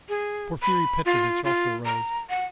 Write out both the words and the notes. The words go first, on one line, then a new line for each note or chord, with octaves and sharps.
Porfiry Petrovitch also rose.
G#4
B5
F4
F4
A#5
F#5